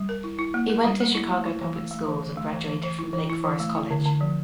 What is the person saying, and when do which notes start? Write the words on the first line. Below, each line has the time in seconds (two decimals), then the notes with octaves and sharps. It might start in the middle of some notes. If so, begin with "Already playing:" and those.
He went to the Chicago public schools and graduated from Lake Forest College.
Already playing: G3
0.09 A#4
0.24 E4
0.39 E4
0.54 A#3
0.70 A#4
0.85 G3
1.00 A#3
1.15 E4
1.31 A3
1.45 E4
1.61 E3
1.76 A3
1.91 A3
2.07 E3
2.22 E3
2.37 A3
2.53 E3
2.68 E3
2.83 E3
2.99 E4
3.13 E3
3.30 E4
3.44 E3
3.60 A3
3.75 E4
3.91 D3
4.06 D3
4.21 F3